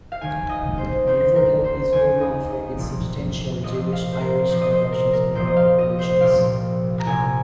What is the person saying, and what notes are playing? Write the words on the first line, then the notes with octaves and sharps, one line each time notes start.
Riverdale is well known for its substantial Jewish, Irish and Russian-speaking populations.
F5
D#2 D#3 G#5
D#5
C5
D#2 D#3 C5
A#4
C5
D#2 D#3 G#5
D#5
D#5
C2 A#2 F3
C2 A#2 F3 D#5
F5
C5
A#4
C2 A#2 F3 C5
D#5
C5
A#4
A#4
C2 A#2 F3 C5
D#5
F5
D#5
C5
C2 A#2 F3 F5
A#5
C2 A#2 F3 G#5